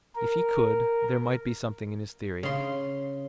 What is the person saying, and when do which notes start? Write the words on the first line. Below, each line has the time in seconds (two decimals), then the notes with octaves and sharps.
If he could, there might be something in his theory.
0.16 A#4
2.43 C#3 C6